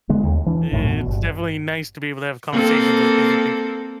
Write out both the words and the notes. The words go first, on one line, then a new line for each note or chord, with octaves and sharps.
I i it's definitely nice to be able to have conversations like these with people.
D3 G#3 B3
D#2
E3 D4
A#1 F#2 A2
B2
G1
A#3 C4 A4